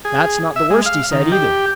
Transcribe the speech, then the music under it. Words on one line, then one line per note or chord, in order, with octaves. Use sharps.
That's not the worst he said, either.
G#4
E5
G#3
F5
D#3
G4